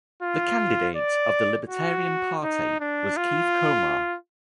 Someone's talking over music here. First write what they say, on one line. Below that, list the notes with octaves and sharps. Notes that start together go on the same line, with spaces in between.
The candidate of the Libertarian Party was Keith Komar.
F4
D5
F#4
D#4
D4
F4